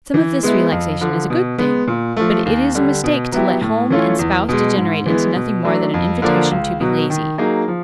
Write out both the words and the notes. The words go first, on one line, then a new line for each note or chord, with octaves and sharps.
Some of this relaxation is a good thing, but it is a mistake to let home and spouse degenerate into nothing more than an invitation to be lazy.
E3
G#3 B3 E4
F2
D3 F3
B2
G#3 B3
A#2
F3 A3
D#2
D3 G3
B2
F#3 B3 E4 G4
A2
E3 A3 C#4 F4
E2
B2 G#3
G#2
E3 G#3 B3
B2
F#3 A3 D4
F2
D3 F3 A#3 D4
C#2
B2 F#3
D#3
F#3 A#3 D#4 G#4
F3